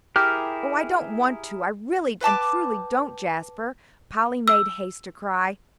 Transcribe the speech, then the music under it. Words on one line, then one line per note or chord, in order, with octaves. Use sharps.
"Oh, I don't want to, I really and truly don't, Jasper," Polly made haste to cry.
E4 G4 G#4 A#4 F6
B4 G5 A5 D6
E6